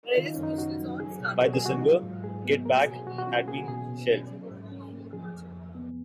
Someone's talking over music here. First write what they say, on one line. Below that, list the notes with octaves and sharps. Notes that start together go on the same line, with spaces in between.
By December, "Get Back" had been shelved.
D#3 F4
D#4
F#2 C#4
D#4
C#4 F#4
F#3
F#3 G#4
B2
B2 F#4
G#4
A#3 F#4
D#4
F#3 F4
G#2
G#2 G#4
B3
A#3 A#4
F#4
B2 G#4
B2 F#4
F#4
C#4 F4
A#3 G#4
F#4
B2 G#4
B2
C#4
F#3
G#2
C#4
A#3
F3 G#4
F2
F2
B3